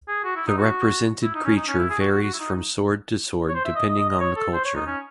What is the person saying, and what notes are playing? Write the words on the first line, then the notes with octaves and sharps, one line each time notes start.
The represented creature varies from sword to sword depending on the culture.
G#4
F#4
E4
D#4
F#4
E4
D#4
C#4
D#4
C#4
E4
G#4
F#4
F#4
F#4
E4
D#4
C#5
C5
E5
D#5
D#5
D#5
D#5
C#5
A4
C5
C#5
D#4
C#4